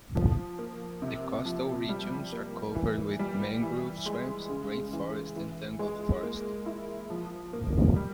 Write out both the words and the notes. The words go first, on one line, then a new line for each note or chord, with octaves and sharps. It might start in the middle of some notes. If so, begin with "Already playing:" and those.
The coastal regions are covered with Mangrove swamps, rain forest and tangled forest.
F3
A#3
C3
F3
G3
A#3
E3
G3
E3
G#3
C#3
E3
E3
G#3
A#3
E4
F3
A#3
G3